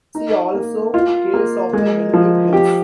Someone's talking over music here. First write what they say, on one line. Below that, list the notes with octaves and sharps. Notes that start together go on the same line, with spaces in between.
See also Caves of the Mendip Hills.
D#4
A#3
F4
A#3
G#3
F3
G4